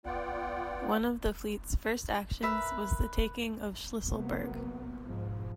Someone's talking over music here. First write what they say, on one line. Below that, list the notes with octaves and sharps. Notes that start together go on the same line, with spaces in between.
One of the fleet's first actions was the taking of Shlisselburg.
B3 F4 D5 F#5 G5
A#4 B4 E5
C3 F#3 A#3 B3
G#2 B2 F3